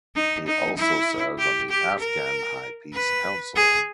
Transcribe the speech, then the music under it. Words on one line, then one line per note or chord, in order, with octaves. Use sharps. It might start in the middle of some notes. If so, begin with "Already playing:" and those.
He also serves on the Afghan High Peace Council.
D#4
D#4
E4
G4
G4
A#4
B4
G#4